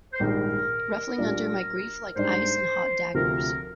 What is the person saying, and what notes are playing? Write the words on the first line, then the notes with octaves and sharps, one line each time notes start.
Ruffling under my grief like ice and hot daggers.
C5
A#1 G#2 D#3 G3 A#4
A#2 G3 D4 F4
G#2 G3 D4 C5
D2 C3 F3 A#4